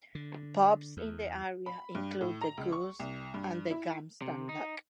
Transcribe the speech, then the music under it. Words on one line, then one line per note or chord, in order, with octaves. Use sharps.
Pubs in the area include 'The Goose' and 'The Gamston Lock'.
D3
E2
B5
G2
A2
A#5
C#2
C#6
C2
G2
E4
C3
D#4